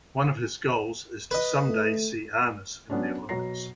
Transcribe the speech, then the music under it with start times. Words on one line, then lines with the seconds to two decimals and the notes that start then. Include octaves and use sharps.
One of his goals is to someday see Arnis in the Olympics.
1.31 B4 D#5
1.67 A3
2.90 F#3 B3 C#4 D4
3.29 B2 F#3 C#5 A#5 A#6 C7